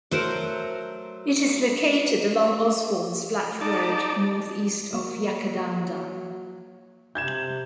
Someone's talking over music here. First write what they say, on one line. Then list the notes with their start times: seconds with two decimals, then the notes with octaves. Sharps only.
It is located along Osbornes Flat Road, north-east of Yackandandah.
0.11 F#3 A3 A#4 C5 F#5
3.61 D#4 D5 A5
4.93 F#3 A#3
7.15 C3 G6 G#6 E7